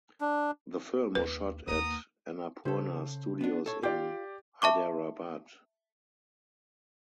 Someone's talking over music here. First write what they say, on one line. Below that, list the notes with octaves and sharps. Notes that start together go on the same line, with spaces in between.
The film was shot at Annapurna Studios in Hyderabad.
D4
D#2 B4
D#2 A#3 B3 A#5 D#6
C#3 A4 C5
B3 D4
A4 C#5
F4 G4 D5
E5 A5 C#6 D6